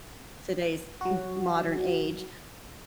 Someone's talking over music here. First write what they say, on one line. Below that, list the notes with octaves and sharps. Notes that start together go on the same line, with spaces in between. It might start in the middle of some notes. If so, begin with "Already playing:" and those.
today's m modern age,
F#3 F#4